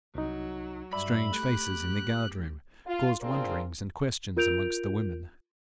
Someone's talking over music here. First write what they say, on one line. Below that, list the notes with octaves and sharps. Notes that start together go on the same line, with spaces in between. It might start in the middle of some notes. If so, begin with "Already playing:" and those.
Strange faces in the guard-room caused wonderings and questions amongst the women.
C2 F#3 D#4
G2 D5 E5 B5
A3 G4 F#6
F4
C4 D4 F4 G#4 A#4 C5
F4 A#4 G6 D7 F7